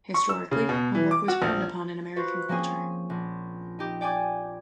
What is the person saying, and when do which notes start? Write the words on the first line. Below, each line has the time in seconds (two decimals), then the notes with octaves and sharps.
Historically, homework was frowned upon in American culture.
0.14 C#6
0.29 E6
0.51 C#3
0.69 B2
0.95 E3
1.11 D6
1.28 F#4
1.42 A#1
2.16 F4 F#4 B4 C5
2.48 F3 A#3 C4 C#4 G#4
3.10 A#1
3.79 D#4 G4
4.01 D5 G5 G#5 D6 G#6